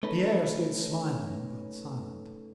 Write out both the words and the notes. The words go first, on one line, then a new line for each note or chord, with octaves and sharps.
Pierre stood smiling but silent.
A3 C#4 D#4 B4